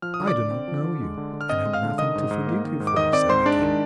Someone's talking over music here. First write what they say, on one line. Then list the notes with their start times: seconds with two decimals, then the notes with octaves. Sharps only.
"I do not know you, and have nothing to forgive you for," said the King.
0.02 F3 F6
0.14 D#6
0.19 D3
0.27 D5 D6
0.35 D3
0.51 C4
0.68 F3
0.84 D3
1.01 G#3
1.17 D3
1.33 D3
1.41 F6
1.49 C4 D#5 D#6
1.65 G#3
1.73 F5 F6
1.83 D3
1.98 D#3 D#5 D#6
2.15 G#2
2.31 G#2
2.47 A#3
2.64 D#3
2.80 G#2
2.87 D6
2.96 D#3 D#5 D#6
3.13 C4 D5 D6
3.29 G#2 C5 C6
3.46 G#3 D4 D5
3.62 D#3